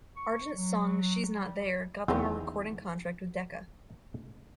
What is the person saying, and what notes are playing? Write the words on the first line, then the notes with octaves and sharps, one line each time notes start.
Argent's song "She's Not There" got them a recording contract with Decca.
C#6
F#3
G3
E2 D#3 F#3 B3 C4 F4